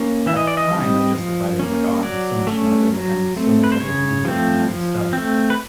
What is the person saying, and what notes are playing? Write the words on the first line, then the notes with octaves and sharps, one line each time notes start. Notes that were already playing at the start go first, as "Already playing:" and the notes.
At the time, I justified it, I was like, "Oh, I'm so much smarter, like, I'm so much better at music, and all this stuff,"
Already playing: A#3 C#4
E3 E5
D#5
D5
D#5
G3 C4
F3
A#3 C#4
F#3 D5
A3 C#4
F#3
A3 C4
B4
C5
C#3 C#5
F3 A3 C4
F3
C4
A3
B4